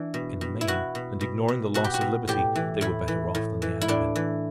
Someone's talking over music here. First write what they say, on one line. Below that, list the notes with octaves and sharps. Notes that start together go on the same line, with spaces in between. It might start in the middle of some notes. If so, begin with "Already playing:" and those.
In the main, and ignoring the loss of liberty, they were better off than they had been.
Already playing: E3 D4
B2
B2
E4
B2 F#4
B2
B2
B2
B2 F#4
G4
F#4
B2
A2 G4
E3
A2 E4
E3
A2
E3
E4
A2 D4
E3